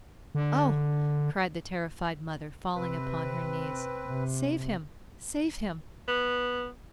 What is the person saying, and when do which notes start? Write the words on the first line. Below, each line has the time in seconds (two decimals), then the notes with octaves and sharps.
"Oh!..." cried the terrified mother, falling upon her knees; "save him! save him!"
0.35 D3
2.76 C3 C4 B4
4.07 C3
6.08 B3